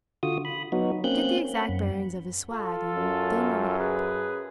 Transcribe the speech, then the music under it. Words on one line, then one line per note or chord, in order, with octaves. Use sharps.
No! Get the exact bearings of his swag and then a rip up.
D3 F4 F#4 D#6
B5
F#3 B3 D#4 F#4
A#3 C4 C#4 F#6 G6
F#5 B5
F#2
F4 A4
F#2
G#4 B4